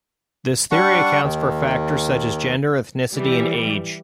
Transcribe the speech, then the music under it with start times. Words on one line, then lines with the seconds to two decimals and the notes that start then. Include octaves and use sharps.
This theory accounts for factors such as gender, ethnicity and age.
0.71 G3 D4 F#5 C#6
1.24 D#2 D#3
3.13 E3 G3